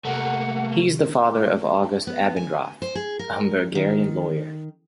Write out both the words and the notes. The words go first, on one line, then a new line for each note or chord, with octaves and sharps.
He is the father of August Abendroth, a Hamburgian lawyer.
C3 A3 A#3 F#5
B3
G#5
C5
G#4
A#4
D#3